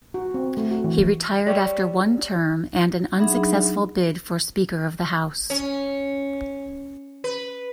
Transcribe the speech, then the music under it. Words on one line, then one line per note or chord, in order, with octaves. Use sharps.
He retired after one term and an unsuccessful bid for Speaker of the House.
F#4
C4
A3
F#4
E3
G3 G4 C#5 E5
F#3 D4 D#4 G#4 E5 B5
C#4
B4